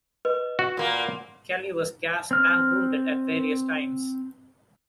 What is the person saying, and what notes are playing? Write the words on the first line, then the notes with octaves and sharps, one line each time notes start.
Kelly was gassed and wounded at various times.
B4 D#5
F#4
A#2 A#3 F#5 B5
C4 F6